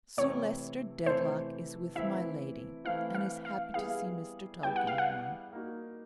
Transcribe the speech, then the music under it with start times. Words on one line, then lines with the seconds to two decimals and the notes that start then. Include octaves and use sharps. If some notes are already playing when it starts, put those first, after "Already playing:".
Sir Leicester Dedlock is with my Lady and is happy to see Mr. Tulkinghorn.
0.17 C3 E3 A3 C4 E4 C#5
1.06 C3 E3 A3 C4 E4 C5
1.95 E3 A3 C4 E4 E5
2.85 E3 A3 C4 E4 F5
3.15 F5
3.45 F5
3.74 G3 B3 E4 G#4 F5
4.63 G3 B3 E4 G#4 G5
4.76 F#5
4.87 F5
4.98 F#5
5.53 A#3 D#4 F#4